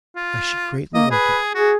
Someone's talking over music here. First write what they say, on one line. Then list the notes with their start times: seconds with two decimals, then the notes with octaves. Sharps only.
'I should greatly like it.
0.16 F4
0.94 A#3 D#5
1.11 G#4 B4
1.55 F#4 G#4